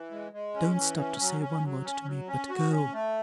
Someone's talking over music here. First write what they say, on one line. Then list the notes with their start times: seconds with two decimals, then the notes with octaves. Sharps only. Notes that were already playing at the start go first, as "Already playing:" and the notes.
Don't stop to say one word to me, but go.
Already playing: E3
0.11 G#3
0.33 G#3
0.55 C#4
0.76 E3
0.98 C#4
1.20 F#3
1.41 C#4
1.63 F#3
1.84 C#4
2.06 F#3
2.28 C#4
2.49 F#4
2.70 C#4
2.93 A3